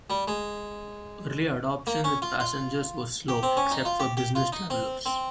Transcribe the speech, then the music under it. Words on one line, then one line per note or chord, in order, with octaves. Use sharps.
Early adoption with passengers was slow, except for Business Travellers.
G3
G#3
A#3
C#4
F4
F4
G4
C4
C#4
D#4
F4
G4
G4
F4
D#4
C4
C4